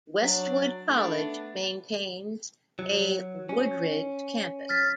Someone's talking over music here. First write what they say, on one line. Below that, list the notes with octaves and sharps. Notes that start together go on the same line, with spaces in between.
Westwood College maintains a Woodridge campus.
F#3 D4
A3 B3 D4
F#3
C#4
F6 A6 B6